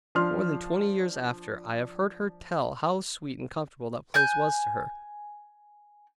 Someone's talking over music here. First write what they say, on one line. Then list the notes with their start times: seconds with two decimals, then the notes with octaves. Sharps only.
More than twenty years after, I have heard her tell how sweet and comfortable that place was to her.
0.15 F3 D4 C6 F6
4.14 G#5 F#6 G6